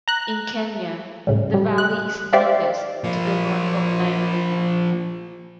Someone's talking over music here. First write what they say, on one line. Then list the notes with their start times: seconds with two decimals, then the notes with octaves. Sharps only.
In Kenya, the valley is deepest to the north of Nairobi.
0.08 A#5 F#6
1.27 A2 C#3 G3
1.54 G3
1.78 F#6
2.33 G4 C5 D5 E5 F5
3.04 F3 A#3